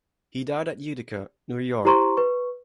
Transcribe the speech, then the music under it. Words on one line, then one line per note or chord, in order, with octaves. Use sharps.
He died at Utica, New York.
E4 G4 C5 A#5 C6 C#6
B4 C#6